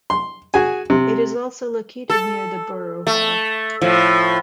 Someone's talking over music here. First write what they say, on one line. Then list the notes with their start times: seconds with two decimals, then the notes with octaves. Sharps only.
It is also located near the Borough Hall.
0.10 C6
0.54 F#4 G#4 G#5
0.90 C3
2.10 A4
3.07 A3
3.81 A2 F3